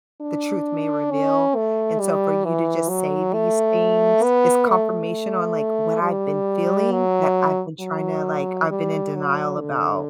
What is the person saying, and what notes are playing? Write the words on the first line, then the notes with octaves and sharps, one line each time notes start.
the truth may reveal and so for you to just say these things is confirmation on, like, what I've been feeling that I've been tryna, like I've been in denial about.
D4
C#4
A3
G3
E3
F#3
A3
B3
A3
G3
F#3
F#3
G3
F#3
D3